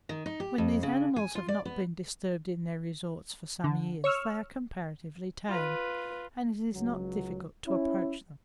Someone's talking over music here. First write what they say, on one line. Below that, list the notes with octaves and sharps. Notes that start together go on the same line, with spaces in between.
When these animals have not been disturbed in their resorts for some years they are comparatively tame, and it is not difficult to approach them.
D#3
D#4
G4
F2
C#3
G#5
F4
D5
B3
D3
C#5 C#6 E6 F6
F4 B4
C#2 F#3
C#4 E4